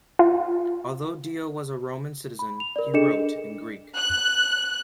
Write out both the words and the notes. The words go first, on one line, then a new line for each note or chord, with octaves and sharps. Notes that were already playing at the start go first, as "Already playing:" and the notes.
Although Dio was a Roman citizen, he wrote in Greek.
F4
B5
F7
A#4 D5
D4 G#4 A4 D#5 C#7 E7
F#6